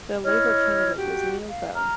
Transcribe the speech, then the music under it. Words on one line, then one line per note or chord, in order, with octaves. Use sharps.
The Labor candidate was Neil Bell.
E4 C#5 D#5 F6
F#4 G4
F5
A#5 F6